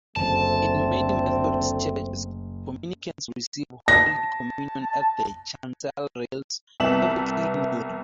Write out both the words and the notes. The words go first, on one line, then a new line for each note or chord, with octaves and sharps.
In many Methodist churches, communicants receive Holy Communion at the chancel rails, devoutly kneeling.
F#1 D2 A3 C4 A5
A5 A#6
C2 B3 E5 A5 E7 F#7